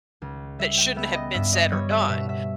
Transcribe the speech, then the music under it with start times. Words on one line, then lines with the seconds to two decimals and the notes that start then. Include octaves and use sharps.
that shouldn't have been said or done,
0.22 C#2
0.59 G3 E5
0.78 G5
0.96 B3 E5
1.15 D#5
1.34 G2 E5
1.53 D#5
1.72 G3 C#5
1.90 E5
2.09 B2 E5
2.29 E5